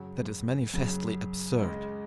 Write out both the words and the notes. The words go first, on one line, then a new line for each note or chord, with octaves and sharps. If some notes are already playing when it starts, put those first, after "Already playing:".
That is manifestly absurd.
Already playing: F#2 C#3 F#3
F#2 C#3 F#3
C#2 C#3 G#3